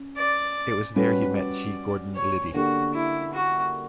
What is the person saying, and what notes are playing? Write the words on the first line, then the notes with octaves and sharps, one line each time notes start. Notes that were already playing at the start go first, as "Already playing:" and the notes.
It was there he met G. Gordon Liddy.
Already playing: C#4
D5
G3 C#4 F#4 B4
D5
C#5
D3 A#3 D4 F#4 G4
E4
F#4